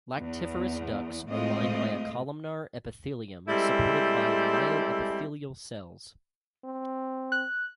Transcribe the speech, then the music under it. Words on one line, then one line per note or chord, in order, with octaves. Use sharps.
Lactiferous ducts are lined by a columnar epithelium supported by myoepithelial cells.
E2
A2 G#3 A3 C4 F4 D#5
G3 G#3 C4 E4 A4
C4
F#6